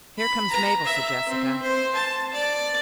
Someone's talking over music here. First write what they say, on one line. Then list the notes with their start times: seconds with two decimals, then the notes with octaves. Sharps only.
"Here comes Mabel," said Jessica.
0.18 B5
0.51 A#5
0.84 E5
1.29 C4
1.63 C5
1.95 A5
2.33 D5